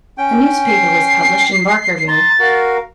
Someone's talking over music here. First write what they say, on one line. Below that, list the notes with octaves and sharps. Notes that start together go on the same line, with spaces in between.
A newspaper was published in Barkerville.
C#4 G5
C7
A#5 C6 A6
F#4 A#4 F5